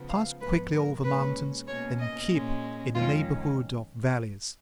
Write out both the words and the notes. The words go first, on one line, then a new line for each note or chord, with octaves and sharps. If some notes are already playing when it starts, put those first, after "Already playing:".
Pass quickly over mountains, and keep in the neighborhood of valleys.
Already playing: C#3 F3 B3
F5
G#2 F3 B3 B4
A#4
A#2 G#3 C#4 B4
B2 A#3 C#4 C#5
D#5
A#2 G#3 C#4
F2 D#3 G#3 C#4 F4